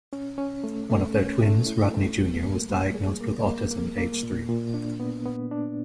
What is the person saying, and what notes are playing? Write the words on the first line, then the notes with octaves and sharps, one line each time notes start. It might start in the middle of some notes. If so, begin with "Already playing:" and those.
One of their twins, Rodney Junior was diagnosed with autism at age three.
C#4
C#4
A3
A3
C#4
A3
E4
A3
G3
A#3
G3
G#4
A#3
A#3
A#3
A#3
A#2
A#2
D4
B3
B3
D4